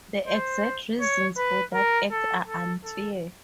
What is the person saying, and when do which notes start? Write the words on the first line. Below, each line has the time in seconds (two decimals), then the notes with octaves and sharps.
The exact reasons for that act are unclear.
0.27 C5
1.01 C#5
1.37 B4
1.74 A#4
2.11 A4
2.47 A4
2.84 A4